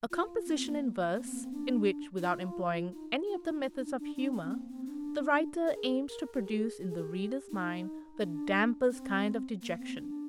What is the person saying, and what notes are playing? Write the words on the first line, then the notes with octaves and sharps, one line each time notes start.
A composition in verse, in which, without employing any of the methods of humor, the writer aims to produce in the reader's mind the dampest kind of dejection.
F4
C4
A#3
A#3
C4
A#3
C4
D4
D#4
F4
D#4
F4
D#4
D#4
D4
D4
D4
C4
A#3
C4
D4
A#4
G#4
A#4
G4
G#4
G4
G#4
G4
D#4
D4
C4
A#3
C4
D4